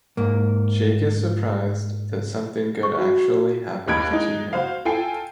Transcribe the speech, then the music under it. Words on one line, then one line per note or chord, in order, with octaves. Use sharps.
Jake is surprised that something good actually happened to him.
G#2 A#3
C#6
F#4
D#2 D#4 B5 F#6 G#6 D7
G#3 D#4
F#4 C5 F5
F4 A4 G5 G#5 C7